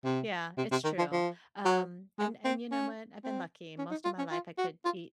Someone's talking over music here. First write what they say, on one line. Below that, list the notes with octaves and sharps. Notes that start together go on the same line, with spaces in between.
Yeah, it's true. Um, and and you know what, I've been lucky, most of my life I could eat
C3
C3
C3
D#3
F3
F3
F#3
G#3
C4
C#4
C4
C#4
D#4
F4
C#4
F4
F#4
F4